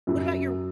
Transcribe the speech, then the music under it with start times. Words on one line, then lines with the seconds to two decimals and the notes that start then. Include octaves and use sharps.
What about your
0.07 F#2 C#3 F#3